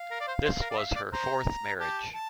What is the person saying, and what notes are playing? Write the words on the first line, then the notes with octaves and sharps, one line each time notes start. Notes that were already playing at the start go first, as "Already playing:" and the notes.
This was her fourth marriage.
Already playing: F5
A#4
D5
C5
C5
A#4
D5
E5
D5
C5 A#5
G4 A5
A5